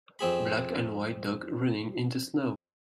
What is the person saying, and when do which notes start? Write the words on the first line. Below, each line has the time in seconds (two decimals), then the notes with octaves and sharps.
Black and white dog running in the snow.
0.19 F2 C4 G#4 B5